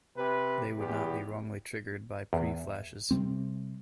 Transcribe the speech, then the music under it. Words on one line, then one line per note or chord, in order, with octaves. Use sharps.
They would not be wrongly triggered by pre-flashes.
C3 B4
E2 E3 B3 G4
E2
C3 G3 C4